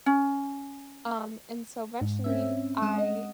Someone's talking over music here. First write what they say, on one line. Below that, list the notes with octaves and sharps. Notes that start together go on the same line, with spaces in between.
Um, and so eventually, I
C#4
G#2
C4 C#4 E5
G#3 F#5 D#6 E7
D#5